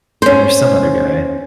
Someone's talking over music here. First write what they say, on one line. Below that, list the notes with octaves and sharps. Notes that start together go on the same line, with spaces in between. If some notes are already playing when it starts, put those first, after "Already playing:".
Yeah, there's some other guy.
C#4 C5